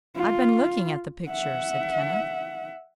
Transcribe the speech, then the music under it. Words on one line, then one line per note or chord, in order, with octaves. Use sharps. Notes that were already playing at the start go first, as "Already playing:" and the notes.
"I've been looking at the picture," said Kenneth.
F4
E5 F#5